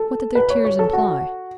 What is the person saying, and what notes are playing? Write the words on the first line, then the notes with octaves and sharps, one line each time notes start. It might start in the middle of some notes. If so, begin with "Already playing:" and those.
What did their tears imply?
Already playing: A4
B4
C#5
C#5
A4
F#4